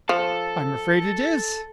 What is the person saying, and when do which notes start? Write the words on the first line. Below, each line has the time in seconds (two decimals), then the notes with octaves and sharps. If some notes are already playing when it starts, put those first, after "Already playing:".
"I'm afraid it is."
0.09 F3 A4